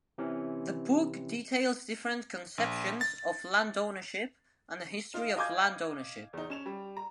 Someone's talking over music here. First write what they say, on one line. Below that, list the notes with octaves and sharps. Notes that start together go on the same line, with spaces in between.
The book details different conceptions of land ownership and the history of land ownership.
C3 E3 C#4
A#1
A6
D#4 F4
D#5 F5 G#5 D6 G6 G#6
E2 D#4
C#4 E7 F7
G3
A#5